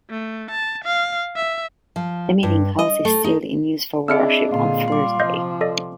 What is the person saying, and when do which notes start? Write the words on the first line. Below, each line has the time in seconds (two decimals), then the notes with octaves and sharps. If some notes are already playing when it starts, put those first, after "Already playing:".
The Meeting House is still in use for worship on "First Day".
0.10 A3
0.51 A5
0.85 F5
1.36 E5
1.96 F3
2.43 G2
2.79 D#5
3.05 A3
3.24 D#4
4.08 C4 D4 E4 G#4 D#5 E6 F6 C#7
4.52 A#2 D3 F4
4.88 G3 C6 D6
5.20 C3 F3 D#5 F5 G6
5.61 A4 D5 D#5